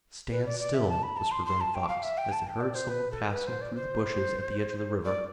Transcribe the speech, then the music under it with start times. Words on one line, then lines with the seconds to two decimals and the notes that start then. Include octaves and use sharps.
"Stand still!" whispered Running Fox, as they heard some one passing through the bushes at the edge of the river.
0.31 B4
0.46 D5
0.59 D5
0.74 E5
0.88 A5
1.03 B5
1.17 A5
1.31 C6
1.46 C6
1.61 A5
1.75 G5
1.88 F5
2.03 E5
2.18 G5
2.32 A5
2.47 G5
2.60 D5
2.75 C5
2.89 B4
3.11 A4
3.33 B4
3.47 C5
3.61 D5
3.75 C5
5.05 D5